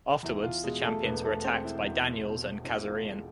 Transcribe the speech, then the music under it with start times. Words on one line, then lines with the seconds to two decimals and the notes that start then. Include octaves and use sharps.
Afterwards, the champions were attacked by Daniels and Kazarian.
0.23 E2 E4
0.43 F4
0.64 B2 G#3 G#4
0.83 A3 A4
1.03 E1 B3 B4
1.24 A3 A4
1.44 G#3 C4 C5
1.64 E4
1.84 E2
2.24 B2
2.64 E1 E4
2.84 F4
3.05 G#3